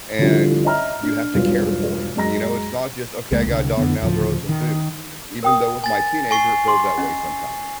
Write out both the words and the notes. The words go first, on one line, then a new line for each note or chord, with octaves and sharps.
and you have to care for it, you know? It's not just, "Okay, I got a dog now, throw it some food." Even though with my teenager, it feels that way sometimes.
D3 F3 G3 C#4 E4
C#5 D#5 E5 A#5 F6
D4
E1 B1 G2 F4
F#2 G#3 A#5 A#6
C#2 G#3 A#3
C2 D3
F2 D3 B3
D2 A2 C#3 F3
D#3
A#4 G5 D#6
G#5 A6
G#5 C#6 C7
G4 G#4 C6
C#4 D#5